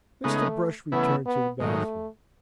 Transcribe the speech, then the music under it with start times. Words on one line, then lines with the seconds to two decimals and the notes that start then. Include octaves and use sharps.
Mr. Brush returned to the bathroom.
0.24 C#3 G#3 A3 B3 D#4
0.92 C#3 E3 A3 B3 E4
1.26 B3
1.60 G#2 D#3 F#3 A3